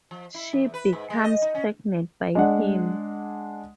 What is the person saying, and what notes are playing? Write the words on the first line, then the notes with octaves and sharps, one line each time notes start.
She becomes pregnant by him.
F3
E4
E2
B4
G#2
G#3
D#5
D#4
C#4
G#3 D4 F#5